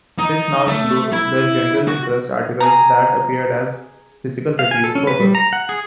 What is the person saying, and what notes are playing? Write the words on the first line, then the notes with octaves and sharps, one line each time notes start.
This now includes the general-interest articles that appeared as "Physical Review Focus".
D#4
A3
E4
F#4
G#4 A#5
F5
G#5
A4
C#4
B4
G3
A#5
F#5
G#4